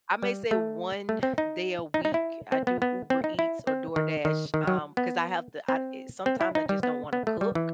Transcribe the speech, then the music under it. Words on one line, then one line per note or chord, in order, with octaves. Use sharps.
I may say one day a week, I do Uber Eats or DoorDash, um, 'cause I have to I sometimes I just don't wanna cook
G3
A3
A3
C4
D#4
D#4
D#4
E4
C4
B3
B3
C4
D#4
E4
C4
D#3
D#3
D#3
F#3
B3
C4
C4
E4
D#4
G3
B3
B3
A3
G3
E3